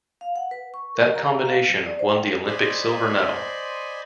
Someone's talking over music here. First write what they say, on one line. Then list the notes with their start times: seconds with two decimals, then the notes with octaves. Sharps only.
That combination won the Olympic silver medal.
0.21 F5
0.36 F#5
0.51 B4
0.74 C#6
0.95 A#4
1.16 A#5
1.45 F5
1.68 F#3
1.86 D5
1.99 C5
2.15 G5
2.47 C5 D5 D#5 G#5 B5 C6